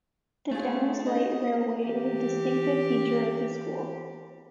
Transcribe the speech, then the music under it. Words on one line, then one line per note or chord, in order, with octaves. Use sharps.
The Downs Light Railway is a distinctive feature of the school.
A3 F4 G#4 C#5
D#4 D#5
E3 G4